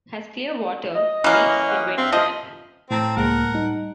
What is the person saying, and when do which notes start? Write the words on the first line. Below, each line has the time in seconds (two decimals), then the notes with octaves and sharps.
Has clear water, reefs and wet sand.
0.95 D#5
1.24 E3 A#3 C#4
1.68 D#5 F5 F#5
1.98 G2 C4 E5 F5
2.12 F3 D#5
2.91 A2 C4 A5 A#5
3.17 C#2 G#3 A#3 A#4 F#5
3.54 G3 D#4